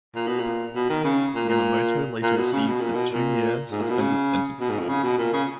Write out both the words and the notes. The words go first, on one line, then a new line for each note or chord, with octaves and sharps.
Yamamoto later received a two-year suspended sentence.
A#2
B2
A#2
B2
D#3
C#3
A#2
A#2
A#2
B2
C#3
B2
A#2
B2
A#2
G#2
A#2
B2
C#3
B2
G#2
F2
C#3
B2
A#2
C#3